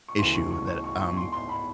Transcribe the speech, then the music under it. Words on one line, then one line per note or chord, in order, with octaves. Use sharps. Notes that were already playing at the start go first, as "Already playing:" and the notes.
issue that, um
C#6
D2 C#3 E3 C6
C#6
C#6
C#6
C#6
C#6
C6
C6
B5